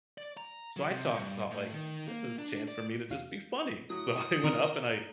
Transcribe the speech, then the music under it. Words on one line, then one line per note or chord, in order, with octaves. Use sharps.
so I talk thought, like, "This is a chance for me to just be funny." So I went up and I
D5
A#5
F#3
C3
G2
A2
D#3
A#3
D4
D5
E2 F#4 F5
A2 F#3 D#6
D3 D#3 C4 A#4 D#5